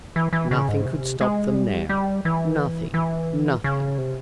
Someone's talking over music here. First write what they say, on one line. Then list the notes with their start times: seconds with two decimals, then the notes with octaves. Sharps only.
Nothing could stop them now, nothing, nothing.
0.16 E3
0.33 E3
0.51 C#3
0.69 G#2
0.86 C3
1.21 G#3
1.55 G3
1.89 G3
2.25 E3
2.94 E3
3.64 C#3
3.98 C3